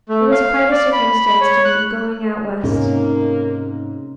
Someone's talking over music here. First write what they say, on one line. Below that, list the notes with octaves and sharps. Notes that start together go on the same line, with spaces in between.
It was quite a circumstance to be "going out West."
A3
F5
D5
B5
B5
C#5
F#6
G#2 C3 A#3 C#4 D#4